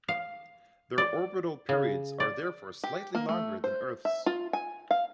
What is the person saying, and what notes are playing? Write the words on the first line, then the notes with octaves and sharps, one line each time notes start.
Their orbital periods are therefore slightly longer than Earth's.
F5
D5
C#3
D5
G4
A#3
A3
C5
E5
F4
G#5
F5